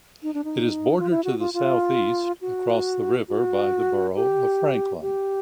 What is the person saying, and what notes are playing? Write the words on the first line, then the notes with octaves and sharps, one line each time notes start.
It is bordered to the southeast, across the river, by the borough of Franklin.
D#4
D4
D#4
F4
E4
F#4
F4
F4
F#4
F#4
G4
G4